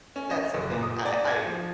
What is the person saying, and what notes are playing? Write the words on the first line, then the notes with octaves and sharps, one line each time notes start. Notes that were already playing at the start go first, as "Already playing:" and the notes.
that's something I I
C#4
D#5
F#1
A#2
D#6
D5
G#6
F3